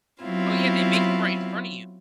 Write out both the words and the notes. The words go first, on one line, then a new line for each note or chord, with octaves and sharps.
Oh, yeah. They make it right in front of you.
F#3 B3 C4 E4 F4